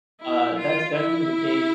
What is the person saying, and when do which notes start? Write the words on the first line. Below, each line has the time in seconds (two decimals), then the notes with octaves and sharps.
uh, that's definitely the case
0.20 E4
0.58 F4
0.96 E4